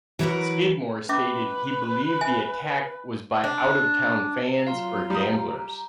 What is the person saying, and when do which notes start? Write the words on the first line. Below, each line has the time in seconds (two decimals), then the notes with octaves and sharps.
Skidmore stated he believed the attack was by out of town fans or gamblers.
0.19 E3 F#3 E4 F#4 A#4 B4
1.09 C#4 B4 E5 D6
2.21 E5 G#5
3.44 D4
4.67 F#3 F4 F5 A#5 C6
5.10 G3 D#6